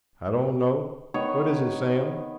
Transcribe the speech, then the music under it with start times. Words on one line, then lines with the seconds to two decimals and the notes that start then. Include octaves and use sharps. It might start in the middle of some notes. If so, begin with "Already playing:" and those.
"I don't know,--what is it, Sam?"
1.14 D#3 B3 C#5 C#6